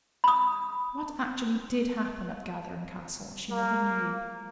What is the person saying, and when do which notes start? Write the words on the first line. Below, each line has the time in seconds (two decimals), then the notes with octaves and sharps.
What actually did happen at Gatherum Castle, she never knew.
0.24 B5 D#6
3.49 A#3